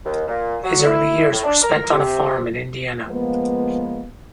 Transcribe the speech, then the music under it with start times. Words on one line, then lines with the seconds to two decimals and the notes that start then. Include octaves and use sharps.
His early years were spent on a farm in Indiana.
0.05 D#2
0.28 A#2
0.64 F#3
0.85 E4
1.33 A2
1.44 D4
1.62 A#4
1.92 C3
3.06 F3 G#3 A#3 B3